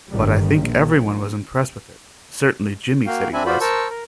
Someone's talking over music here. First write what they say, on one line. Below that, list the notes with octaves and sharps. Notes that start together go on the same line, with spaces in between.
But I think everyone was impressed with it; certainly Jimmy said he was.
G1 D#3 G3
A#1
A#3 F#4 F5 G5
C4 D4 E5 G#5 B5
F4 F#4 C5 D5 B5
A#4 C5 A5 C#6 E6
A#4